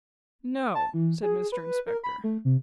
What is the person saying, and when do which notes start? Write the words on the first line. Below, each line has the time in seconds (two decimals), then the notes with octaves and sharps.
'No,' said Mr Inspector.
0.75 A5
0.94 E3
1.23 G#4
1.52 B4
1.87 A#4
2.04 B5
2.24 A3
2.45 C3